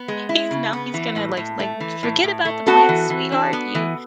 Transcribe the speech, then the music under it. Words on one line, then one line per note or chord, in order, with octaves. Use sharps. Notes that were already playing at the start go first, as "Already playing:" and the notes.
he's now he's gonna, like like, "Forget about the plants, sweetheart, you
Already playing: B3
G#3
E4
C#3
B3
E3
A2
A2
A3
E3
A2
A2
A3
B3 F#4 A4
E3
E3
D4
B3
E3